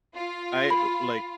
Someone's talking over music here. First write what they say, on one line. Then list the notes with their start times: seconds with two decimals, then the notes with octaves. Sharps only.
I, uh, like,
0.16 F4
0.70 B5